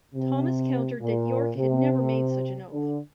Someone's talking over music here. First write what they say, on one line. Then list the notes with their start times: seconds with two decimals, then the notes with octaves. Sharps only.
Thomas countered that York had never made such an oath.
0.15 C3
1.01 A#2
1.57 C3
2.72 D3